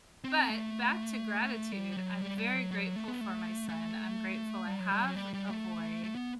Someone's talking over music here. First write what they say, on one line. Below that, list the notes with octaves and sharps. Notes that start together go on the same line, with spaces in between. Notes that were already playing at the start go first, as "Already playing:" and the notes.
But back to gratitude, I'm very grateful for my son, I'm grateful I have a boy.
C4
A3
G3
F#3
G3
G3
F#3
F#3
A3
B3
A3
A3
G3
F#3
G3
F#3
G3
G3
A3
A3
B3